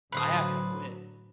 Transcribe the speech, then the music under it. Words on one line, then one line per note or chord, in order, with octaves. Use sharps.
I have to quit.”
A2 D3 F#3 B4 C5 D#6